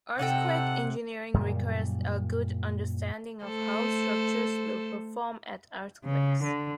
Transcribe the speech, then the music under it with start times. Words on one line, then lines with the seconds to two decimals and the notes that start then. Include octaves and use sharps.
Earthquake engineering requires a good understanding of how structures will perform at earthquakes.
0.19 C3 D#4 A4 F#5 G5
1.34 F#2 A#2 C#3 G3
3.44 A3 A4 C5
6.05 C#3
6.43 D3